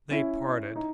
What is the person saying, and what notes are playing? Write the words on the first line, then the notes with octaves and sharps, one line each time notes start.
They parted.
C#4 E4
D#4